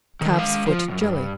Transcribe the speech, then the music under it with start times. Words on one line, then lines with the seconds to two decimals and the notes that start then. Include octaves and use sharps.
Calf's Foot Jelly.
0.21 D3 D#3
0.38 G#3 F5
0.66 F3
0.88 C#2 F#2
1.01 G2